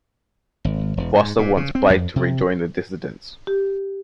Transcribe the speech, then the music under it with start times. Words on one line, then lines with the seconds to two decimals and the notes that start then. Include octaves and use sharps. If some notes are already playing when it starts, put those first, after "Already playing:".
Foster wants Blake to rejoin the dissidents.
0.65 G#1
0.97 E1
1.15 G#2
1.39 A#2
1.57 C#3
1.75 C4
1.90 F2
2.16 C3
3.47 G4